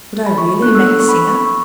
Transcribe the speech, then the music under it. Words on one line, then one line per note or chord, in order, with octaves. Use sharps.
Would I really make a singer?
B5
C#6
B3 D4 A4 F#6
E6
E6
C#6
B5
C#6
B5
C#6